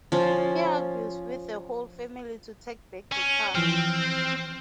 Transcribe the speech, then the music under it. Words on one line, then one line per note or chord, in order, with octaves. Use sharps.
He argues with the whole family to take back the car.
F3 C#4
C#4
E3 F3 C4 F6